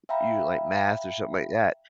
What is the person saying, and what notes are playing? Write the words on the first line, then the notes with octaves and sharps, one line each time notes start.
you like math or something like that
E5 F5 G5 A#5 B5